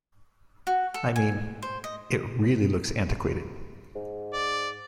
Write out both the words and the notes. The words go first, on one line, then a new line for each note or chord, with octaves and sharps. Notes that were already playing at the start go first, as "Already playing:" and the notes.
I mean, it really looks antiquated.
F#4
A4
G#5
C5
D#5
G#2
D5